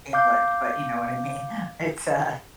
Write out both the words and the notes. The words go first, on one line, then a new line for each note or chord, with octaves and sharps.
England, but you know what I mean. It's uh
F5 D6 G6